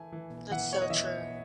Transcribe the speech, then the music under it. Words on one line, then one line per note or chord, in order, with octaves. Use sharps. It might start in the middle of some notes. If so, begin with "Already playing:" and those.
That's so true.
Already playing: E3 A3 G#5
E3
E3 F#5
C#5
D#5
E3 E5